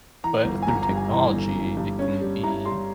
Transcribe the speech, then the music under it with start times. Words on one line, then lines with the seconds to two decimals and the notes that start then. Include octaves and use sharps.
but through technology, it can be
0.23 E3 A#5
0.45 G1
0.62 G#5
0.68 G1 A#5
0.82 A#5
0.89 G2
0.97 G#5
1.11 E3 A#5
1.33 G1
1.56 E3
1.77 G2
1.99 C#4
2.21 G3
2.43 E4 A#5
2.65 G3 C6